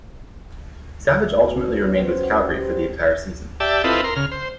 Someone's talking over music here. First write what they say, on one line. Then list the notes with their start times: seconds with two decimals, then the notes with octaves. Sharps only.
Savage ultimately remained with Calgary for the entire season.
1.15 A3
1.27 A#3
1.39 B2
1.53 C#5
1.68 F#2
1.82 F#4
1.96 C4
2.08 C#5
2.23 F#5
2.42 G3
2.56 C5
2.71 F#4
3.60 G4 D5 E5 A5
3.84 C4 E4 F4 A4 B4 D#5
4.04 A#4 C6
4.16 C#3 F6
4.31 C5